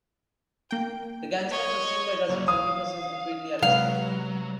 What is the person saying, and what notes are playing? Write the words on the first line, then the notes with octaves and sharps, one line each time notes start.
The gangsters were seen by dozens of witnesses and quickly arrested.
A#3 G5
C#5 D#5
F#3 A#3 G#4 C#5
E3 F5 D#6
C3 F#3 G#3 B4 F5